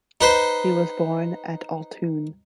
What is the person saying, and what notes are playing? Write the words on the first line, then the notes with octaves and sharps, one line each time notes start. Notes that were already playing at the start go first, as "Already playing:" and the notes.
He was born at Autun.
D#4 B4 C5